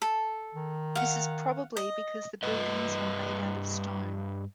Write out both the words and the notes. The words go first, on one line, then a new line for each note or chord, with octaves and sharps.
This is probably because the buildings were made out of stone.
A4
D#3
F5 F#5
D#5
G2 B4 D#5